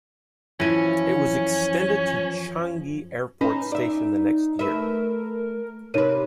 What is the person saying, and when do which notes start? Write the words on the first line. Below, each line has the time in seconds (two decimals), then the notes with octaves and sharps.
It was extended to Changi Airport station the next year.
0.60 F#2 E3 F3 C#4 G#5
3.41 C#4 D#4 B4 C5
3.72 D#4 D5 E5
4.59 A3 A#4 B4 E5
5.94 C3 D#4 A#4 B4 C#5 D#7